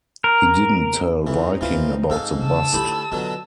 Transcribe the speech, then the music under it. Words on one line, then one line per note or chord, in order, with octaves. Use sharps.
He didn't tell Viking about the bust.
A#4
F2 E3 C4 D#4
D2 E3 B3 F4
G#2 F4 A4 F5
C#3 A5 E6
D2 E4 F4 G4 B5
B2 D3 F#3 F4